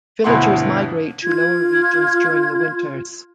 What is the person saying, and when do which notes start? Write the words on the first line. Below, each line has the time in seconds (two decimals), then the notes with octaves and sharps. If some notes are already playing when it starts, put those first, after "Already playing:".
Villagers migrate to lower regions during the winters.
0.24 G1 D2 B2 E4 F#5 C6
1.23 F4 G#6